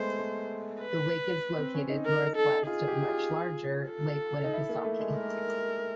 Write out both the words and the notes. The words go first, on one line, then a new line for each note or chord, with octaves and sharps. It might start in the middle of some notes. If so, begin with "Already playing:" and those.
The lake is located northwest of much larger Lake Winnipesaukee.
Already playing: G#3 A3 B3 C5
A3
B4
C4
C#4
D#4
A#4
A4
F4 G#4
G4
F4
A4
D#4
E4
A#3
A3
G#3
A#4